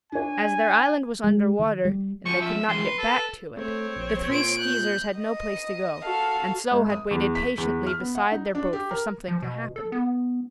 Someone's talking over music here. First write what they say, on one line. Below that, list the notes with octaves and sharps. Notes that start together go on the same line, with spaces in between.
As their island was under water and they could not get back to it, the three Skeezers had no place to go, and so had waited patiently beside their boat for something to happen.
D4 C#5 G#5
G#3
D#3
G3
F#2 F3 C#6
E5
E3 G#3 C6
B4
A4
A3 C4 C#5
A#1
A#2 C6 D7
F#6 G6
D#5
F#4 A4 F5
G#1
D#6
E2
B6
E2
F6
B3
F#5
D#4
D4
G4
A#4
F3
B2
A4
B3